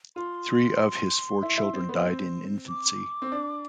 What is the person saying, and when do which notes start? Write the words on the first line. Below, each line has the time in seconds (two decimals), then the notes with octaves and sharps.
Three of his four children died in infancy.
0.16 F4 C6
1.43 E4
1.57 E4
1.73 C4
1.89 B3
2.06 C4
2.68 D6
3.22 C4
3.32 D4